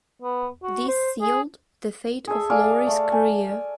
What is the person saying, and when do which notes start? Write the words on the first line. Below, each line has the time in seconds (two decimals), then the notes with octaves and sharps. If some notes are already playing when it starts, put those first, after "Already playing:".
This sealed the fate of Lawry's career.
0.22 B3
0.63 F#4
0.88 C5
1.21 G#4
2.27 G#4 A4 E5
2.50 D5 F5 G#5
2.87 A3
3.12 G#5